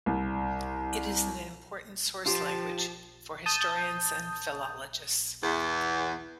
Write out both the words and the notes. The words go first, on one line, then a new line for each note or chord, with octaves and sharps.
It is an important source language for historians and philologists.
C2
F3 F4 G4 A5
A5 D#6 G6
E2